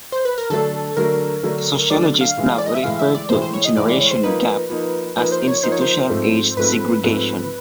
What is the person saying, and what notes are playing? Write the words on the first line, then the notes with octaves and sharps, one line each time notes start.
Sociologists now refer to "generation gap" as "institutional age segregation".
C5
B4
A#4
D3 F#3 A3 D4 A4
D3 F#3 A3 D4 A#4
D3 F#3 A3 D4
D3 F#3 A3 D4 D5
F5
A2 E3 G#3
D5
D#5
E5
A2 E3 G#3 F5
E5
D5
A2 E3 G#3 C5
C5
C#5
D#5
A2 E3 G#3 D5
D5
C#5
C5
F3 A#3 D#4 B4
F3 A#3 D#4
F3 A#3 D#4 B4
C5
C#5
F3 A#3 D#4 C5
C#5
C5
G#2 F3 A3 C4
G#2 F3 A3 C4 B4
G#2 F3 A3 C4